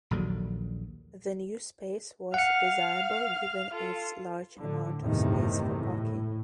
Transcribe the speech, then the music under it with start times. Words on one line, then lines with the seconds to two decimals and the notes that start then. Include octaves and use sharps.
The new space was desirable given its large amount of space for parking.
0.11 A#1 D#2 D3 F#3
2.34 F5 F#5 F6 C#7
3.73 F4 A4
4.58 A2 D3
5.01 G1 E2 A2 C3 D#3
5.77 A2